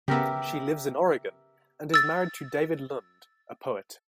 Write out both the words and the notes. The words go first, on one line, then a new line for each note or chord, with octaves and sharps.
She lives in Oregon and is married to David Lunde, a poet.
C#3 B3 G4 A#4 E5
E6 A6